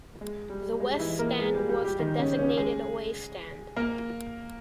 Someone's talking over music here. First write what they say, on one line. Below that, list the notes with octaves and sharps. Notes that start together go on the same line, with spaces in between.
The West Stand was the designated away stand.
G#3
G3
G#3
D#4
E3 E4
A#3 A#4
G#3 G#4
G3 G4
G3 G4
G3 G4
D#3 D#4
C#3 C#4
C#3 C#4
G#3 G#4
A#3 A#4